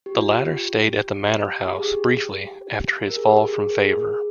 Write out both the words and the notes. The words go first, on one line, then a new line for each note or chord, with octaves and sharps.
The latter stayed at the Manor House briefly after his fall from favour.
G4
F4
G4
G4
G#4
G4
A#4
G#4
G4
G#4
A#4
G#4